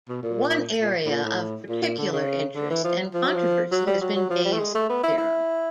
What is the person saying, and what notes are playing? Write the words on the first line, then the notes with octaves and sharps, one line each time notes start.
One area of particular interest and controversy has been Bayes' theorem.
B2
A#2
A#2
A2
A#2
A2
A#2
A#2
D3
C#3
D3
E3
F3
F3
F#3
F3
F#3
G3
F#3
F#3
F3
G3
A3
G#3
A3
B3
E4
E4